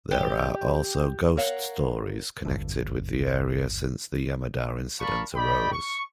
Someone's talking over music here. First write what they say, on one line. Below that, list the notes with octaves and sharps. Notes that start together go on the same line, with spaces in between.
There are also ghost stories connected with the area since the Yamada incident arose.
G4
A#4 C#5 F5 F#5
G#1 E2 G2 D3
A#4 D5 F5 A5 B5 C#6
D5 D#5 G5 B5
C#6